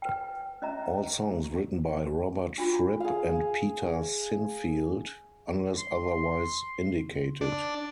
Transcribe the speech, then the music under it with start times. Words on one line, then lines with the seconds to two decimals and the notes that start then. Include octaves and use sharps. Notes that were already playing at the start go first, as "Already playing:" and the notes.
All songs written by Robert Fripp and Peter Sinfield, unless otherwise indicated.
0.02 B4 G5
0.62 C#4 D#5 E5 A#5
2.58 D4 F4 F#4
3.00 G#4 F5
5.78 C6
7.41 D4